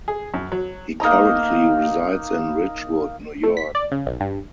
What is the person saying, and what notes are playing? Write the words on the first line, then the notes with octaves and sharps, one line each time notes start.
He currently resides in Ridgewood, New York.
G#4
F#2
F#3
A#3 D#4 D#5 A#5
A3
B6
D5
C#3
B1
G2